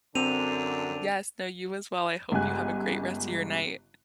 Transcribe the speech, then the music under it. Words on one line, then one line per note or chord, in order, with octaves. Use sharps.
Y yes, no, you as well, I hope you have a great rest of your night.
F#2 D3 C4 D4 D#7 F7
G1 C#3 G#3 G4 G#5 F#6